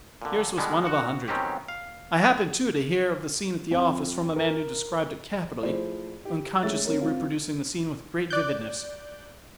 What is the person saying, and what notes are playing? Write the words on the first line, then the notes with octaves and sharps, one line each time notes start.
Yours was one of a hundred. I happened, too, to hear of the scene at the office, from a man who described it capitally, unconsciously reproducing the scene with great vividness.
A#2 D3
B2 D3 G3 G#3 B3
F#4 F#5
B2 D#3 F#3 C4 C#4 G4
F5
F2
A#4
F3 A3 E4 G#4 C5 D5
G4
G#3 A3 C#4 E5 A6
C4 C#4 A#4 C#5
C4 F4
D5 F#6 G6